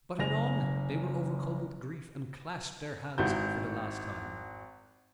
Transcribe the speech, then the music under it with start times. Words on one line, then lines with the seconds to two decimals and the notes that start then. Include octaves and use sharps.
But anon they were overcome with grief and clasped their hands for the last time.
0.19 F#1 G#5 A#6 F7
3.18 G#1 E4 F#4 G6